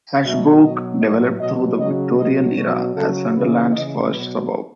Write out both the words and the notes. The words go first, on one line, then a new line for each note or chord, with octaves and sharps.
Ashbrooke developed through the Victorian era as Sunderland's first suburb.
B2 F#3 E5
B2 F#3 D#5
A2 F#3 D#5
B2 F#3 D#5
C#3 F#3 D#5
B2 F#3 D#5
B2 F#3 C#5
C#3 F#3 A4
C#3 E3 B4
C#3 E3 D#5
B2 F#3 B4